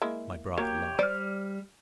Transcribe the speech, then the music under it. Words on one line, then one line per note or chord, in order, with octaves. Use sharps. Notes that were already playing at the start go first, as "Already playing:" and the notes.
My brother laughed.
G#3 A#3 E4
F#3 A#3 G4 C#5
G3 C5 D5 F6